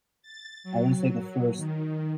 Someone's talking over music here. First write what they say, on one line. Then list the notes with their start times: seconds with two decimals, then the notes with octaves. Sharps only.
I wanna say the first
0.22 A6
0.64 F#3
1.56 D#3